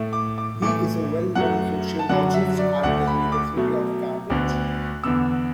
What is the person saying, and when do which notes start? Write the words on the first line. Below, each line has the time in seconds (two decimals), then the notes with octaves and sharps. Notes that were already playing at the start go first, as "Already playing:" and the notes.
He is a well-known sociologist at the University of Cambridge.
Already playing: A2 A3
0.13 D6
0.38 D6
0.62 A2 E3 A3 D6
1.35 F#2 F#3 A3 F#5
1.99 A5
2.09 F#2 D3 F#3 F#5
2.34 E5
2.58 D5
2.83 D2 D3 A3 F#5
3.07 B5
3.32 D6
3.57 B2 F#3 A3
4.30 D2 D3 B3
5.03 E2 D3 B3 E6